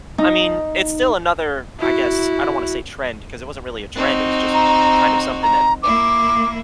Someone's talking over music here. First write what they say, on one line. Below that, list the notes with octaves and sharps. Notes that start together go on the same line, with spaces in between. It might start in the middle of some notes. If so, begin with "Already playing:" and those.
I mean, it's still another, I guess, I don't wanna say trend, 'cause it wasn't really a trend, it was just kind of something that
D#4
E4 F#4
C4 D#4 F#4
A#5
A#5
A#3 E4 D6